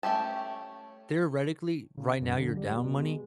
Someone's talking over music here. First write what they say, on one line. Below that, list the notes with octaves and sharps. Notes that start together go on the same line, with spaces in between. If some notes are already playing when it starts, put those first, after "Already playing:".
Theoretically, right now you're down money,
A3 C#4 G4 A5
C#3
F#2
D3
G3
B2
G#3